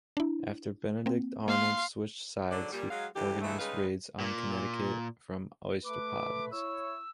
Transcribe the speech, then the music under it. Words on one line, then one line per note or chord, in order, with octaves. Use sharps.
After Benedict Arnold switched sides, he organized raids on Connecticut from Oysterponds.
D4 E4
A#3 C4
A#3 F5 C6
G#2 D3 F#3 D5
A#2 G3
F#3 G#3 F5
D2 D3 E3 G4
E3 F#3 G#3 A3
C#3 G3 G#3 D#4 B4 F5
A#2
A3 B4 D6
E4 C#5 E6